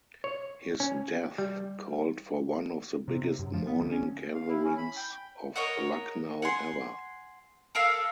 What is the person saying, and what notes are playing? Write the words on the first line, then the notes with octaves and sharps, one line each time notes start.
His death called for one of the biggest mourning gatherings of Lucknow ever.
C#5
C#4
G3
C3
C3
F#2
F3
B3
D2
C#4
F5
E4
C#4
B5
G5
A#4 C#5 D#5 F#5
F#5 G#5 C6
A4 A#4 F5 E6